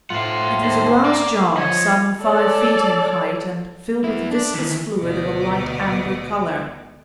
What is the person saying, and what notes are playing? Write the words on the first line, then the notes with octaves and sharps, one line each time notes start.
It was a glass jar, some five feet in height and filled with viscous fluid of a light amber color.
A2 F4 C5 F#5
D#2 C5
A#3 D5
F3 C#5 D#5
A4 C#5 D5
B3 E4
D4 D5
D#3 E3
D2 B2 G#3 B3 D5 D#5